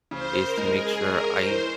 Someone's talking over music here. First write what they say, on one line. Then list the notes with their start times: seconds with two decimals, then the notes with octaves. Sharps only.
is to make sure I
0.11 C#3 C5
0.42 A#4
0.57 G#3
0.72 G#4
1.03 C#4 A#4
1.34 C5
1.48 E3